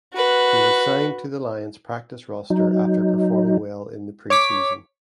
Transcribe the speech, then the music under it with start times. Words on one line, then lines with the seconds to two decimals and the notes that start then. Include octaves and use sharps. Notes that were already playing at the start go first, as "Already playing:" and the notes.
He was signed to the Lions practice roster after performing well in the preseason.
0.14 F#4 B4
2.50 F#3 D#4
4.30 C#5 D6 B6